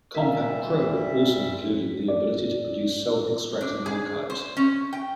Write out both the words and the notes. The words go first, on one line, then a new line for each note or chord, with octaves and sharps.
Compact Pro also included the ability to produce self-extracting archives.
A#2 G3 A#4 E5 F5
D5
D4
G#4
C5
C#4
G5